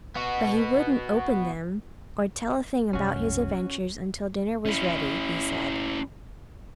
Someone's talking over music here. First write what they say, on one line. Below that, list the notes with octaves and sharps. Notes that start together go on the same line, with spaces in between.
But he wouldn't open them or tell a thing about his adventures until dinner was ready, he said.
B3 F#4
C2 F#2 C#4 F#4
C#4 E4